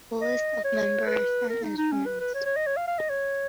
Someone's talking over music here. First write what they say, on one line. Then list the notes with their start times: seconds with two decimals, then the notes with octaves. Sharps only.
List of members and instruments.
0.21 D#5
0.64 C#5
1.07 B4
1.50 A#4
1.63 D#4
1.78 D#4
1.92 C#4
2.06 B4
2.20 B4
2.34 C#5
2.45 C#5
2.56 D#5
2.67 C#5
2.77 F5
2.87 F5
2.98 D#5
3.09 C#5